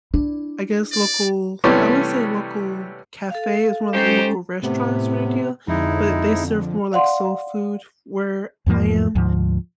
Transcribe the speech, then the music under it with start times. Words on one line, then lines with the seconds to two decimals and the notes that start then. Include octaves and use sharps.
I guess, local I wanna say local cafe. It's more like a local restaurant sorta deal, but they serve more, like, soul food where I am.
0.14 D4 E4
0.92 D5
1.64 C3 E3 G3 A3 B3 C#4
3.30 A4 F5
3.93 G#3 C#4 D#4 G4 A4 C5
4.63 A2 C3 B3
5.68 F2 D3 G#3 D#4 E4
6.92 D5 F5 F#5 C6
8.66 E2 G#2 F3 A#3
9.15 D2 G#2 F3